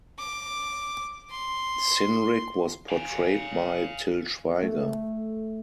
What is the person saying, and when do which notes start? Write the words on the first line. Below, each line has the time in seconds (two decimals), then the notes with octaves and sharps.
Cynric was portrayed by Til Schweiger.
0.19 D6
1.31 C6
2.89 F5 G#5
4.63 A3